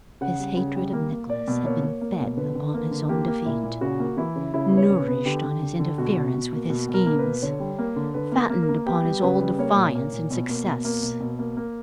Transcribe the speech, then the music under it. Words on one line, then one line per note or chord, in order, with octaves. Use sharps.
His hatred of Nicholas had been fed upon his own defeat, nourished on his interference with his schemes, fattened upon his old defiance and success.
C#3 F#5
G3
C#3
G3
A#3
A#3
A#3 D5
B2
A#3 C#5
A#3
A#3
B2
D3 B4
D3
A#3
D3
A#3 G4
A#3
A#2 E4
A#2
C#3 F#4
A#3
E3 E4
C#3
C#3 E4
B3
C#5
C#3
B4
B3
D3 G4
D3
D3
D3
B2 F#4
B2
B2
A#3
B2 F#4
B2
A#4
A#3
B4
B2
D3 C#5
G3
A#3
D3
D3 B4
A#3
A#4
A#3
A#4
A#3
A#4
B3 G4
G3
C#3 B4
G3
A#3 C#5
A#2
A#3
A#2
B2
A#3
B2
A#3
B2
B2
A#3
A#3